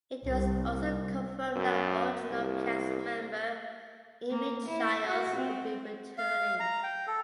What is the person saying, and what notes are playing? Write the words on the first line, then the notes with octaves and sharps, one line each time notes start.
It was also confirmed that original cast member Amy Childs would be returning.
C2
F#2
C2
A#3
E4
F#4
C4
F5
A#5
G5
A4